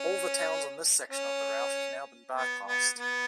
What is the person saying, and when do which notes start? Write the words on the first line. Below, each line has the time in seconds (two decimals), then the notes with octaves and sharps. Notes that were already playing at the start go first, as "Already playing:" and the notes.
All the towns on this section of the route have now been bypassed.
Already playing: C#4
1.12 C#4
2.36 B3
2.67 B3
2.98 B3